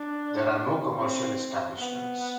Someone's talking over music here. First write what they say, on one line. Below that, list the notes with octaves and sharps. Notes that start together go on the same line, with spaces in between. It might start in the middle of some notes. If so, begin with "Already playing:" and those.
There are no commercial establishments.
Already playing: D4
C4
B3